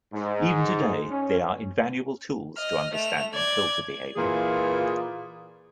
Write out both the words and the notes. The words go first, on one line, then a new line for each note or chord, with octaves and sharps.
Even today, they are invaluable tools to understanding filter behavior.
G#2
C#4
D#5 F6
A3 F7
D5 G#6
A#2 E3 F4 G#4